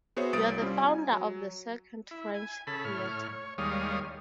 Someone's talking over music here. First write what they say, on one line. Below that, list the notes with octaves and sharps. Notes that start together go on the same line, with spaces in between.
You are the founder of the second French Theatre.
B3 F#4 G#4 C5 C#5 E5
C2 A#3 D#6 A6 D7
G3 C4 C#4 F4
G#5
F#3
E4
G#5
C#3 A4 B5
A2 C#5 F6
C#5
D#2 G3 G#3 C#5 F5 D#6